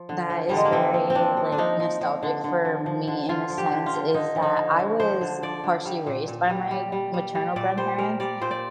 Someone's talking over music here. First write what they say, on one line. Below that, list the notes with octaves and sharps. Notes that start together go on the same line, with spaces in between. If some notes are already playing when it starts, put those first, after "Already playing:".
that is very, like, nostalgic for me in a sense, is that I was partially raised by my maternal grandparents,
Already playing: F3
D3
F3
D3 G3
G#3
A#3
F3 C4
F3
C4
F3 D4
F3
D4
F3 D#4
F3
F3
D3
D3
F3
F3
D3
D3 F4
F3
G4
D3
F4
D3
D3 D#4
F3
D#4
D3
F3
F3 C5
D3
F3 D5
D3
G3
A#2
A#2
G3
G3
G3
G3
G3
A#2 D5
G3 C5
G3 A#4
G3 D5
A#2 C5
D5